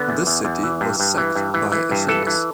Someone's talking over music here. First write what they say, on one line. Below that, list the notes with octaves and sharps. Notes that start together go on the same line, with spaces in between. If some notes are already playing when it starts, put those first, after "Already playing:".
This city was sacked by Achilles.
Already playing: D3 B3
E2
E2
E2
E3
G2
G2
E3
G2
E3
E3
G2
E3 A4
E3